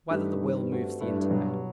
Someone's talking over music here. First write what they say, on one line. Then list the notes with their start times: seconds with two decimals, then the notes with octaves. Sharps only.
Whether the Will Moves the Intellect?
0.10 G2 A3 D#4 G4 B4
0.40 D#3 G3 C4
0.71 A3 C4 F#4
1.00 G2 A3 E4 B4
1.30 B2 F#3 B3